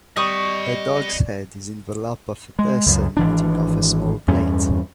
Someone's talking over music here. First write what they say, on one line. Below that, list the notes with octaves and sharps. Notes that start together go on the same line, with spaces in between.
A dog 's head is in the lap of a person eating off a small plate.
G3 D#5 B5 C#6 D#6
G#3
C#2 F#2
G#1 E3 D4
E2 G2 C#4